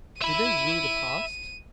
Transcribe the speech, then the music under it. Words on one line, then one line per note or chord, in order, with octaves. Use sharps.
Did they rue the past?
E5 B5 D#7